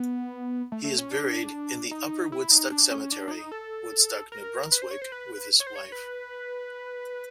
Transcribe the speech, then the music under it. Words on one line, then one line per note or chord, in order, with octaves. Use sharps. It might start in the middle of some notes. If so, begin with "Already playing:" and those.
He is buried in the Upper Woodstock Cemetery, Woodstock, New Brunswick with his wife.
Already playing: B3
A3
A3
C#4
D4
D#4
E4
D#4
D4
C#4
D4
D4
D#4
A4
A#4
B4
C5
C#5
C5
B4
C#5
C5
C#5
B4